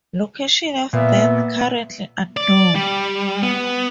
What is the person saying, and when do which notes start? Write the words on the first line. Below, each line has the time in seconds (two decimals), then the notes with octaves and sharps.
Location of death currently unknown.
0.93 A#2 B3 E5
2.37 D5
2.75 G3
3.42 B3